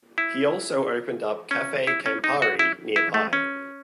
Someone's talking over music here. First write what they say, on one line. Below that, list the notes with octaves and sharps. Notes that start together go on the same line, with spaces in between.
He also opened up Cafe Campari nearby.
E4
C#4
E4
C#4
D#4
F#4
E4
E4
A3
C#4